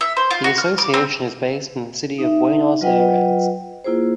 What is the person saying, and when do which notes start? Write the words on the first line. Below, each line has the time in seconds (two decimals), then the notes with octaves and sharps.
The association is based in the city of Buenos Aires.
0.01 E5
0.17 C5
0.31 F4
0.44 F#4
0.58 F6
0.78 D6
0.94 C4
2.19 D#4 E5
2.81 F#3 F4 B4 D#5 F#5 G5
3.84 A#3 E4 F4 G#4 C5